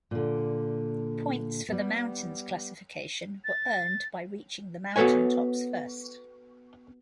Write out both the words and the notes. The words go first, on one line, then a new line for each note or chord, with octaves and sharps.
Points for the mountains classification were earned by reaching the mountain tops first.
A#2 D3
G3 B3
A6
B3 F#4 A4 B4 C#5 G#5